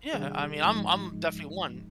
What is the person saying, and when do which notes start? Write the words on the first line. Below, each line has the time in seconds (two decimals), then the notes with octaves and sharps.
yeah, I mean, I'm I'm definitely one.
0.13 C3 D#3 G3 D4 G#4
0.65 G#2 F3 G#3 D#4